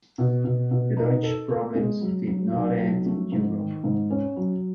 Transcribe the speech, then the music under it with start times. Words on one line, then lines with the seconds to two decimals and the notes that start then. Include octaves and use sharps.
The Doge's problems did not end in Europe.
0.18 B2
0.44 B2
0.71 B2
0.97 D#4
1.23 A4
1.49 A4
1.75 G#3
2.01 F#3
2.27 F#3
2.53 B1
2.79 F#3
3.06 A3
3.32 G#2
3.58 D#3
3.84 G#2
4.10 C#4
4.36 F#3